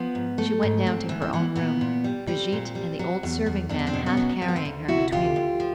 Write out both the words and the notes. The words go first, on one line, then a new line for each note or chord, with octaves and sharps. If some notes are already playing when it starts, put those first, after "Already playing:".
She went down to her own room, Brigitte and the old serving-man half carrying her between them.
Already playing: F3 B3
G#2
A3
G#2
G#2 C4
E3
C4
E3 B3
A#2 B3
A#2
G3
G3 C4
A#2
G3
F#3
E2
E2
E2 D4
D#4
C4 D4
B2
B3 C#4
F#3
D2 C4
B3
C4
D2
C3 E4 F#4
D2 F4 G4
D2
F3